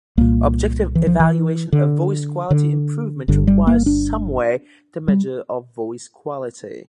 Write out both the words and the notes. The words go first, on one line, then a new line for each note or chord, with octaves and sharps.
Objective evaluation of voice quality improvement requires some way to measure of voice quality.
C2 A#2 A#3
E3
F3
E3
D3
D3
G1 G2 D3
G3
A#3
D4
G3